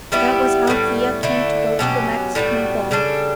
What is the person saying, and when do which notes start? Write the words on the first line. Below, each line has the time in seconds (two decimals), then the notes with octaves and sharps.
That was how Thea came to go to the Mexican ball.
0.12 G3 B3 E4 G4
0.67 A2 G3 B3
1.23 D3 A3 E4
1.79 B2 F#3 C#4 G4
2.35 A2 G3 B3 F#4
2.91 C#3 G3 D4 A4